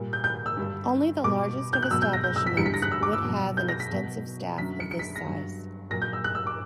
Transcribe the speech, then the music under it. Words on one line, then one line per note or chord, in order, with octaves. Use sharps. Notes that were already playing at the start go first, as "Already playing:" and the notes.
Only the largest of establishments would have an extensive staff of this size.
Already playing: A#2 G3
G6
G6
E6
G2 D3 G3
B2 G3 D6
G6
F#6
B2 F#3 E6
G6
A#6
G6
E6
B6
E2 D3 G3 C#7
B6
A#6
F#6
E6
D6
E6
B2 F#3
G6
A#6
B6
B2 F#3
F#2 D3 F#3 B6
C#7
C#7
B6
A#6
G2 F#3
A#2 F#3 A#6
G6
E6
F#6
E6
D6